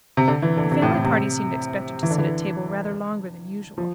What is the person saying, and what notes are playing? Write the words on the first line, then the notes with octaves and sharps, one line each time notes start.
The family party seemed expected to sit at table rather longer than usual.
C3
D3
E3
D3
C3
A2
A2
C3
E3
D3
E3
F3